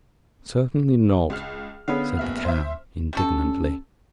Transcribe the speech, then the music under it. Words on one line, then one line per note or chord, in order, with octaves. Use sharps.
"Certainly not," said the Cow, indignantly.
C#2 F6
D3 B3 C#4 G#4 F5
F#1 E5 F6
C5 E5
G3 C#4 F#4 A4